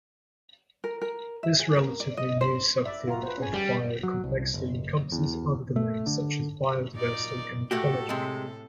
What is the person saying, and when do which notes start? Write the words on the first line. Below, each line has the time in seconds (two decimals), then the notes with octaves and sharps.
This relatively new subfield of biocomplexity encompasses other domains such as biodiversity and ecology.
0.84 A#4
1.02 A#4
1.43 E5
1.60 G#4
1.76 A#4
2.00 D5
2.17 D#5
2.41 C5
2.86 D5 E5
3.07 F4 F#4 A#5
3.23 B4 C5
3.38 C#4 G#4 G#5
3.54 G3
4.03 F#3
4.24 C2
4.54 F#1
5.12 E2
5.76 A3
6.06 D3
6.94 A#2 D#4 D5
7.71 A2 A3 F#4 G4 A4
8.09 C3 G#3